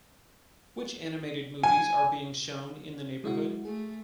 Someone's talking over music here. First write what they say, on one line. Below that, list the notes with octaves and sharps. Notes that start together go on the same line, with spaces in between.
Which animated movies are being shown in the neighborhood?
G#5
G#3 E4 F#4
A3 G#4